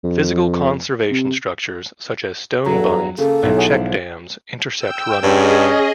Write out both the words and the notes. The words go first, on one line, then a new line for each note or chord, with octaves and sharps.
Physical conservation structures such as stone bunds and check dams intercept runoff.
F2
C3
E2 G2 F#3 A4 A#5
C#3 A#3 A4
B1 E4
F#4 G#4 C#5
G#2 F3
G5 E6
G2 C#4 G#4 D#5